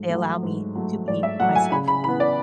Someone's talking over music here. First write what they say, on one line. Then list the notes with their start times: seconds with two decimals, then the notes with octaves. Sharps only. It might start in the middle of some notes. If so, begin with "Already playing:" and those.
they allow me to be myself.
Already playing: G#2 F#3 A3
0.10 F#3 A3
0.43 G#2
0.75 F#3 A3
1.08 G#2 D5
1.23 E5
1.40 F#3 A3 F#5
1.55 G#5
1.72 C#3 B5
1.88 B5
2.04 E3 B3 B5
2.20 D5